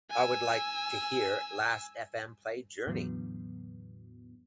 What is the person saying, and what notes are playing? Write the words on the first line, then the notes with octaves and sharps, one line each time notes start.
I would like to hear lastfm play journey.
G#5 E6
E2 A2 D3 E3 F#3 B3